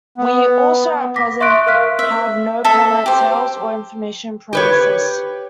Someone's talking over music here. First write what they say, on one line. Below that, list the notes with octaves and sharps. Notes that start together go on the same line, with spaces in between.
We also at present have no permanent sales or information premises.
B3
D6 A#6 B6
E5 C6 C#6 D#6 F#6 D7
A#4 F5 F6 F#6 B6
E5
A4 E5 A5
G4 C5
G4 B4 C#5